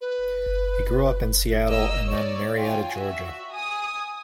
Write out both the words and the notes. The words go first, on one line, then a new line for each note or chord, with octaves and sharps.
He grew up in Seattle and then Marietta, Georgia.
B4
A#3 D#5 E6
C#5 D5
F4 G5 G#5
F#4 E5
G#5 D#6